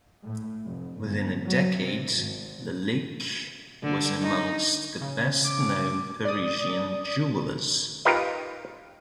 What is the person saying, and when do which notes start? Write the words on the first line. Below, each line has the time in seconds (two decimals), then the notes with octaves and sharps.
Within a decade, Lalique was amongst the best-known Parisian jewellers.
0.23 A2
0.63 F1
0.99 G1
1.46 F#3
1.77 C3
2.16 G#1
3.83 D3
4.22 D#4
5.01 C#3
5.45 D6
6.25 D5 D#6
8.05 D#4 F4 G4 A#4 B4 D#5